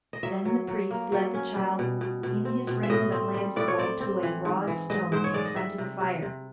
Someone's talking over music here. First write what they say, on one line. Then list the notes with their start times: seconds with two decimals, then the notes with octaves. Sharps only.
Then the priest led the child in his raiment of lamb's-wool to a broad stone in front of the fire.
0.13 D#5
0.23 F#3 E5
0.45 F#3
0.68 F#3
0.91 A#3
1.12 F#3
1.34 C#4
1.57 G3
1.79 B2
2.01 B2
2.23 B2
2.45 C4
2.67 B2
2.83 E5
2.90 A2 D#5
3.12 C4
3.34 G3
3.56 A2 D5
3.68 C#5
3.78 C4 D5
4.00 C4
4.23 E3
4.45 G#2
4.67 E3
4.90 G#2 D#5
5.12 G#2 C5
5.24 C#5
5.34 G#3 D5
5.45 D#5
5.56 G3 E5
5.78 C3
6.00 C3
6.22 C3